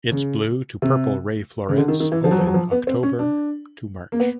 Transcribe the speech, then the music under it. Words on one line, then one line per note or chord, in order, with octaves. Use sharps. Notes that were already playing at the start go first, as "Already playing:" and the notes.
Its blue to purple ray florets open October–March.
C#3
C3
C#3
D3
D#3
D#3
E3
F3
F#3
F3
F#3
F3
B3
C4
C#4
D4
A#3
B3